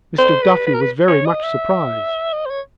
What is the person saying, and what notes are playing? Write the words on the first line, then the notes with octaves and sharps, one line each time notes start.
Mr. Duffy was very much surprised.
C5
B4
B4
A#4
B4
C#5
D#5
E5
D#5
C5
C#5